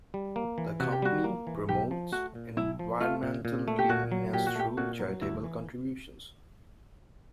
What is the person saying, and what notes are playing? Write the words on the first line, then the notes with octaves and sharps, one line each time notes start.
The Company promotes environmental cleanliness through charitable contributions.
G3
A#3
E3
C3 F#4
G4
G3 F#4
A#3
E3
B1 G4
F3
A3 F#4
A#2
B1 E4
F3
A3 F4
A#2
A#2
A3
G4
A#2 F#4
F#3
A#2 G4
F#4
A3 G4
A#2 F#4
F#3
D2 E4
E3